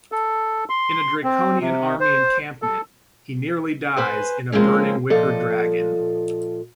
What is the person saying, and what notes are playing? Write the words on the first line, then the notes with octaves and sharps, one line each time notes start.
In a draconian army encampment, he nearly dies in a burning wicker dragon.
A4
C6
C4
C3
C5
A4
B4 C5 G#5
F3 G#3 A#3 C4 C#4
A#2 F3 A4 D#5